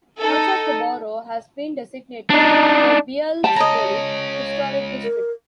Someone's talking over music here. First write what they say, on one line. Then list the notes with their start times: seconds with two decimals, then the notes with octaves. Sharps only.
Much of the borough has been designated the Beallsville Historic District.
0.20 D#4 A4
2.30 D4 D#4
3.44 G3 A5
3.56 G#3 C#4 C#5 D#5 A#5
5.04 A#4